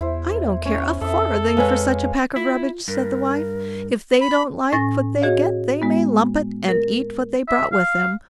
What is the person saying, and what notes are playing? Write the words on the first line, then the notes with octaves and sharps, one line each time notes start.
'I don't care a farthing for such a pack of rubbish', said the wife; 'if they don't like what they get they may lump it, and eat what they brought with them.
E2 E4 C5
C#4 C#5
F2 A4 E5 D#6
G#3 B4 C#5 F5 G#5
E4 F4
G2 A#4
B5
A2 C#4 G#5 A6 A#6
F#4 G#4 C#5 D#5 F5
G#3 B3
A#4
E5
F5